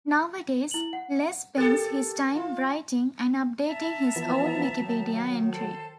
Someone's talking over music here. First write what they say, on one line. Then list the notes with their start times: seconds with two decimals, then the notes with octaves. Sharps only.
Nowadays Les spends his time writing and updating his own Wikipedia entry.
0.71 E4 F#7
0.93 F#5
1.57 G4 A4 A#4 F#6 A6
2.35 F4
3.66 E5 A5 A#5
4.16 E3 F3 B3
4.79 D#3 F#3
5.49 A4 C5